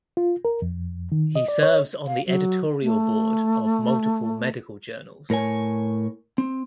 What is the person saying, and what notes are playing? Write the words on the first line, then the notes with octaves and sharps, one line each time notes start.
He serves on the editorial board of multiple medical journals.
F4
A#4
F2
D#3
D#5
D5
C#5
F5
F#3
A3
A2 A#4 C#5 G#5
C4